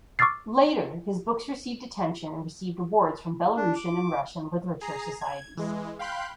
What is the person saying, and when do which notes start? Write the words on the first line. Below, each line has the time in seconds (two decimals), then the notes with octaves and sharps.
Later his books received attention and received awards from Belarusian and Russian literature societies.
0.19 C#6 D6 E6 F6 A6 C7
3.56 D4
3.76 D6
4.81 G#4 A#5 C7
5.21 G#6
5.57 E3 G#3
5.99 F5 G5 B5 C6 F#6 G6